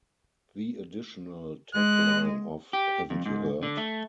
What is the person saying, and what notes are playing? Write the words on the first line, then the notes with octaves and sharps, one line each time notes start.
The additional tagline of Haven't you heard?
G#3 F#6
G4
F2
G#2
D3
A3